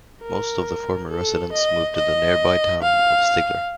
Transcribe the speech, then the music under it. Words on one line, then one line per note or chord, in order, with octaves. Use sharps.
Most of the former residents moved to the nearby town of Stigler.
A#4
A4
D#5
D#5
F5